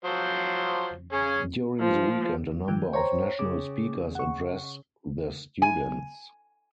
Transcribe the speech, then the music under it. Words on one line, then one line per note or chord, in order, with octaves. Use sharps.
During the weekend, a number of national speakers address the students.
F3 F#3 C5
C#4 G#4
F3
D#3 F3 G5
C5 C#5 A#5
C#3 D6
F#5 C#6
G#5